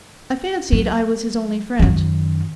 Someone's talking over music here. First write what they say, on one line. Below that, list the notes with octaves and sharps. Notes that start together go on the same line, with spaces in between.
I fancied I was his only friend.
F#3
F#2 D#3